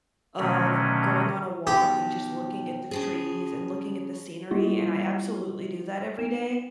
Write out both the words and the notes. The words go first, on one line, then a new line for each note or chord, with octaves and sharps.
of going on a walk and just looking at the trees and looking at the scenery, and I absolutely do that every day.
B2 D3 D#3 F#3 A3 C#4
B2 D#3 G4
C#3 F3 G#4
G3 A#3 E4 F4 G4
B3 E7